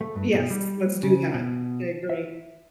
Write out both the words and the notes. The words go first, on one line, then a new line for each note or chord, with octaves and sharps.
Yes. Let's do that. I agree.
A3
G2
B2
G3
C#3
B2
E5